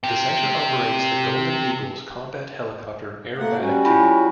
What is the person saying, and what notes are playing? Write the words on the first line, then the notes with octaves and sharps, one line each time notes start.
The center operates the "Golden Eagles" combat helicopter aerobatic team.
C3 G4
A3 A#3 F#5
G3 C#4 F#4
E4 F4 B5